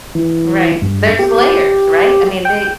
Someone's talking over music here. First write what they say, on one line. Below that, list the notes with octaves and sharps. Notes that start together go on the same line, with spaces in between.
Right, there's layers, right, I mean, they,
E3
G2
G4
G5